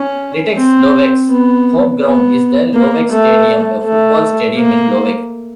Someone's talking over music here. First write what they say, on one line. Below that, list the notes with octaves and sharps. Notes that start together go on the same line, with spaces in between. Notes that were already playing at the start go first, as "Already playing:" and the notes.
Litex Lovech's home ground is the Lovech Stadium, a football stadium in Lovech.
Already playing: C#4
C4
B3
B3
A#3
A3
A3
A#3